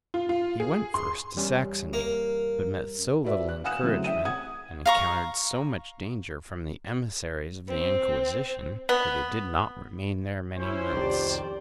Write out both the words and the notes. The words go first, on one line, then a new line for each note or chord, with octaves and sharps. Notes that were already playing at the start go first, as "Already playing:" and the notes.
He went first to Saxony; but met so little encouragement, and encountered so much danger from the emissaries of the Inquisition, that he did not remain there many months.
F4
F4
G#4
C6
E2 G3 C#4
A#3
E4 F#4 B4 D5 E5
F#6
F5 F#5 G#5 D#6 F#6 E7
C#3 E3 F#3 A3 C4
E5 G5 D#7
F#5 D#6 G#6
F5 A#5 C#6
C4
B3
C#4 E4 C5
C2 F2 B2 D#3 G4 D5